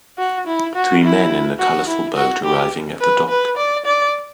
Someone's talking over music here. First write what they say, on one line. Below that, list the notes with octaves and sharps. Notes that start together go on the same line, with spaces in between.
Three men in a colorful boat arriving at the dock.
F#4
E4
F#4
E4
F#4
E4
F#4
G4
B4
B4
D5
D5